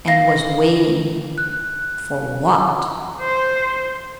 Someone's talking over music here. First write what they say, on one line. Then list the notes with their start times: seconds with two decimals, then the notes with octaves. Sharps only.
And was waiting--for what?
0.08 F5 A#6
1.38 F#6
3.21 C5